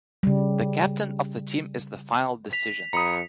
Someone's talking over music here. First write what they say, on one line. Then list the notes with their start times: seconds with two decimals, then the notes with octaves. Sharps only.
The captain of the team is the final decision.
0.23 C#3 G3
2.53 B6 F7
2.93 F2 A#5 B5 D#6 C#7